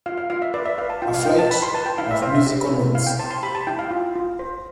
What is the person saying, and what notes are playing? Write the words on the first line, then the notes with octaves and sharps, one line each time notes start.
A flight of musical notes.
F4 F5
F5
F4 F5
E5
B4 D5
E5
B4 F5
A5
F4 G5
F5
F4 G5
A5
B4 B5
C6
B4 A5
G5
E4 F5
E5
C5 F5
E5
G4 E5
E4
E4 F5
G5
C5 A5
C6
G4 B5
A5
E4 G5
F5
F4
F4
C5